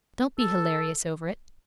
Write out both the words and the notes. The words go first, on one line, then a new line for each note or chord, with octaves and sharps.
'Don't be hilarious over it.'
A4